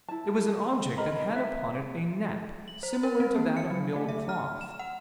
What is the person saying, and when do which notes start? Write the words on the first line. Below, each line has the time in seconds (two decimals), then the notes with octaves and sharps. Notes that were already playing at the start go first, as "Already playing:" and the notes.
It was an object that had upon it a nap, similar to that of milled cloth.
0.08 E4 A5
0.98 A#4 D#5 A#5 B5
1.32 B4 E5
2.68 F#7
2.83 C5
3.03 A#4
3.20 C4
3.36 A#3
3.57 C#7
3.70 F#3
3.96 A3
4.09 E5
4.29 F6
4.61 E7
4.79 F#5